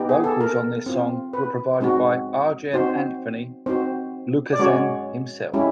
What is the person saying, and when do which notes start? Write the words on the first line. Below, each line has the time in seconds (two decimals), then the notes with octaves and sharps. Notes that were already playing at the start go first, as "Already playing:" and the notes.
Vocals on this song were provided by Arjen Anthony Lucassen himself.
Already playing: B3 D#4 G4
0.09 G#4
0.24 A4
0.41 A#4
0.86 C4 F4
1.33 B4
1.80 G#3 C4 D#4 F#4
2.73 C4 D#4 F#4 C5
3.66 C4 D#4 F#4 C5
4.53 D5
4.59 G#3 C#4 F#4 C#5
5.54 G#3 C#4 E4 G4